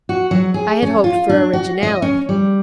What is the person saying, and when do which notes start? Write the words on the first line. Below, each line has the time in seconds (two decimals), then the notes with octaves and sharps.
I had hoped for originality.
0.09 F#4
0.31 F#3
0.54 G#4
0.82 C#4
1.04 F4
1.29 D4
1.53 F#4
1.83 D#5
2.02 C#4
2.29 G3